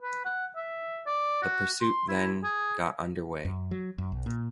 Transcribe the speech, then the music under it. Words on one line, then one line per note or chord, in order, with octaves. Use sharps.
The pursuit then got under way.
B4
F#5
E5
D5
F#4
C6
E4
G#4
F#2
F#3
F#2
B1
A#2